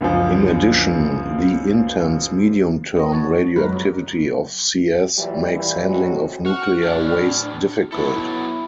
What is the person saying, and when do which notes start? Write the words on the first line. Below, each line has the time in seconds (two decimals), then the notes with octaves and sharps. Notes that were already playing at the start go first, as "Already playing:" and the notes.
In addition, the intense medium-term radioactivity of Cs makes handling of nuclear waste difficult.
0.01 C#2 F#2 D3 F3
2.97 B3 D#5
3.12 F#4 C#5 A5
3.56 F#2 F#3 G#3 A#4 B4
3.73 F2
5.17 A#2 E3 F#3 G3
5.55 A#2 E3
5.89 A2 F#3 G#3 C4 F#4
6.46 F#4 F6
6.83 A2 D4
7.92 F#3 B3 E4 A4